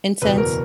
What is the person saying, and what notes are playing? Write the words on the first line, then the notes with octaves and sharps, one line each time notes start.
in sense?
F#1 E2 B2 B4
A#4